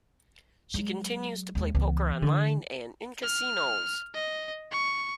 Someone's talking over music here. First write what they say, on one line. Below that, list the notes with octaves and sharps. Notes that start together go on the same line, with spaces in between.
She continues to play poker online and in casinos.
F#3 G#3
D#2 G#3
C#2 E3 B3
D3 A3
F6
D#5
C#6